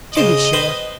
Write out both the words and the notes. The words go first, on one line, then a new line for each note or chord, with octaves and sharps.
'To be sure!
C#3 C5 D#5 D6
B4 C5 G5